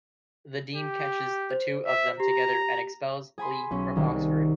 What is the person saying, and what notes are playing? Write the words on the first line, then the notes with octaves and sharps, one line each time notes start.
The Dean catches the two of them together and expels Lee from Oxford.
G4
C5
E5
G4 A#5
G#4 G#5 B5 C6
B1 C#4
C2 D#3